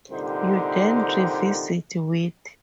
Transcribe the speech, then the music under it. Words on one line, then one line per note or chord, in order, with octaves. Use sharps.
You then revisit Wit.
C2 A#2 D3 D#4 G4 C5